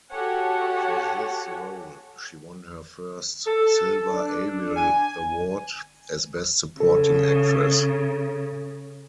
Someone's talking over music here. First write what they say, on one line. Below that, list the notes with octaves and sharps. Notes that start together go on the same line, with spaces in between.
For this role, she won her first Silver Ariel Award, as Best Supporting Actress.
F#4 G4 A4 C#5 F#5 G#5
A4
D4
G#5
C#3 A4